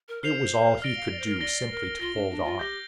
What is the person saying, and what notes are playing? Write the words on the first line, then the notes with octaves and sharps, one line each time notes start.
It was all he could do simply to hold on.
A#4
C5 F6 C7 F7
F5
D5 F6 A#6 D7 G7
F5
D5
C5
A#4
D5 A#6 G7
A#4
F4 A#6 G7
D4
D4
F4
G4 G6 A#6 G7